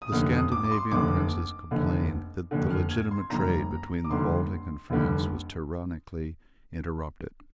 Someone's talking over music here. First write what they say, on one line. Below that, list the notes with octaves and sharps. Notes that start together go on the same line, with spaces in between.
The Scandinavian princes complained that the legitimate trade between the Baltic and France was tyrannically interrupted.
D#6
F1 D#2 D3 F6
D#6
D6
D6
C6
F1 D#2 D3 D6
F1 D#2 D3
F1 D#2 D3
F6
G#6
C6
F1 D#2 D3 G3 A#5
D6
F1 D#2 D3 G3 C6
F1 D#2 D3 G3